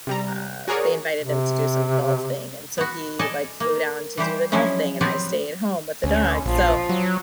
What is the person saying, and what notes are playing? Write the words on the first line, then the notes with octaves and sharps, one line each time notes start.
uh they invited him to do some golf thing, and so he, like, flew down to do the golf thing, and I stayed at home with the dogs, so
C3 G3 A#5
F#4 G#4 A#4 C#5 D5
C3
B3 F#4
A4 D5 D#5 G#5 A5
A#3
E3 G3 G4 C5
F3 F#3 G#3 C#4 D4 E4
F3 F#3 B3 C4 F4 G4
D2 C#4
A#1 F3
F#3